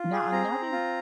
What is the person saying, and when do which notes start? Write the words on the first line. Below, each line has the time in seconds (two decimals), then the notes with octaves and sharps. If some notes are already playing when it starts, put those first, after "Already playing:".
Now another
Already playing: F4
0.12 G#4
0.32 C4 A#5
0.52 C4
0.72 F4